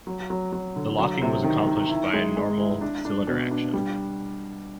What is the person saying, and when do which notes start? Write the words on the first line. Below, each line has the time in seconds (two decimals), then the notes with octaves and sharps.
The locking was accomplished by a normal cylinder action.
0.07 F#3
0.30 F#3
0.52 F#3
0.76 D3
0.99 F#3
1.22 C3
1.44 D#3
1.67 D#3
1.90 E4
2.13 G#3
2.37 G#3
2.59 E4
2.81 D4
3.05 D4
3.27 B2
3.51 D4
3.73 G3